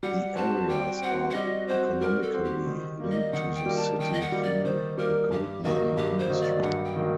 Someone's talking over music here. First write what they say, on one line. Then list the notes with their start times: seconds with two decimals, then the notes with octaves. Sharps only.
The areas are economically linked to the city through the gold mining industry.
0.03 G3 F#5
0.35 C4 F#4 A5
0.68 G3 G5
1.02 C4 F#4 F#5
1.30 F#5
1.34 G3 D#5
1.68 C4 F#4 C5
2.01 G3 A#4
2.22 A4
2.33 C4 F#4
2.44 G4
2.67 D#3
3.00 G3 A#3
3.11 D#5
3.33 D#3 F#5
3.55 G5
3.66 G3 A#3
3.76 A5
3.99 D#3 G5
4.13 D#5
4.21 F#5
4.32 G3 A#3
4.43 D5
4.65 D#3 C5
4.98 G3 A#3 A#4
5.31 G2 G4
5.64 D#3 F#3 A#3 D#4 F#4
5.97 G2 G4
6.19 C5
6.30 D#3 F#3 A#3 D#4
6.41 D5
6.63 G2 F#5
6.84 G5
6.96 D#3 F#3 A#3 D#4